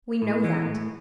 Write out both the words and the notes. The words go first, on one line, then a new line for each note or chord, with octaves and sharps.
We know that.
A2
E3 G#3 B3
A2